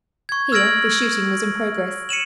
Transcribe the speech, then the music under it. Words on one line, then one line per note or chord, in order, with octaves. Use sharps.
Here the shooting was in progress.
C#6 G#6
E6 F6 G#6 A#6 D7 F#7
C#7 D#7 E7 F#7